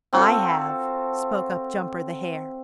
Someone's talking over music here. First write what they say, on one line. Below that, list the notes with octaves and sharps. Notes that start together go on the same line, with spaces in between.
"I have," spoke up Jumper the Hare.
C4 F4 F#4 A4